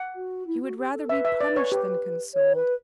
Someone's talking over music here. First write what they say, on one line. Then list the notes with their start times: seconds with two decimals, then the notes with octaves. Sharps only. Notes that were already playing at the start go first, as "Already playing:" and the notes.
He would rather be punished than consoled.
Already playing: F#5
0.15 F#4
0.47 E4
0.62 F#4
0.78 G4
0.93 A4
1.09 B4 E5
1.25 E5
1.41 D5
1.56 C#5
1.72 G4
2.34 C#5
2.55 B4